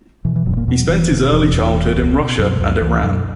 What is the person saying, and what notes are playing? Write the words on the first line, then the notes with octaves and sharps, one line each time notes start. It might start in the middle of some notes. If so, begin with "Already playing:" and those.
He spent his early childhood in Russia and Iran.
B2 E3
E3
E1 F#2 F#3
A#2 A#3
E2 B2 B3
F#3
E1 E3
B2 D3
E1 E3
E2
E1
C#2
B2
F#2 B2 F#3
G3
C#2 F#2 F#3
C#2 E3
F#2 B2 F#3